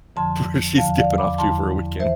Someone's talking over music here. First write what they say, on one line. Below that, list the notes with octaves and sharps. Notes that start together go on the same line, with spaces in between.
who she's skipping off to for a weekend.
F2 D3 F3 A5 C6
E2 D3 F3 F5 A5
D5 F5
B5 D6
E2 D3 F3 A5 C6
E3 C5 E5